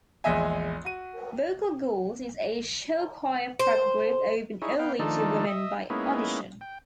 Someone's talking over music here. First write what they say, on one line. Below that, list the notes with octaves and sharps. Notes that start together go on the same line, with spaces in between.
Vocal Gold is a show choir prep group open only to women by audition.
A#1 E2 G#3 D#5 E5 G#5
F#4 D#7
C5
D#4 E4 G#4 C#5
B3 F5 G5
D#3 F3 A3 D4 D#4 A4
D#5 E5
G#3 A#3 B3 C#4 D#4 E4
G5